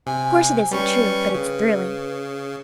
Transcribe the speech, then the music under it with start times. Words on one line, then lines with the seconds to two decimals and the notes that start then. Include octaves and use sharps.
"Of course it isn't true, but it's thrilling."
0.07 C3 G#5
0.57 G#5
0.71 G3 C#4 B4 C#6
1.34 C#3